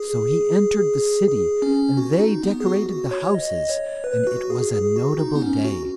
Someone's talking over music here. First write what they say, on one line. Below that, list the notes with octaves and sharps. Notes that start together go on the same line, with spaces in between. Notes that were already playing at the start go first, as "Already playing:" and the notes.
So he entered the city, and they decorated the houses and it was a notable day.
Already playing: G#4
G#4
C#4
F#4
D#4
B3
G#4
F#4
F#4
C#5
D#5
C#5
B4
F#4
G#4
G#4
F#4
D#4
B3
C#4
F#4